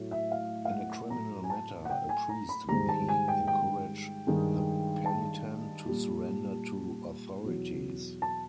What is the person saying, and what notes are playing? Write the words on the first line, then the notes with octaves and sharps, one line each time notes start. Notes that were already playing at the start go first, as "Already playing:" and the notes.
In a criminal matter, a priest "may" encourage the penitent to surrender to authorities.
Already playing: A2 F#3 A3
E5
F5
F5
F#5
A2 F#3 A3 A#5
G#5
A5
F#5
G5
G#5
A#5
B5
G#2 D#3 G3 A#5
A5
G#5
G5
G5
G2 D#3 G#3
A5
A#2 G3
E2 B2 F#3
A5